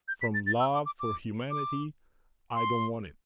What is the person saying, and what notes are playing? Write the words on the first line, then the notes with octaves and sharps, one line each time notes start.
From love for humanity I don't want it.
G6
B6
A6
A6
E6
D6
D6
D6
D6
C6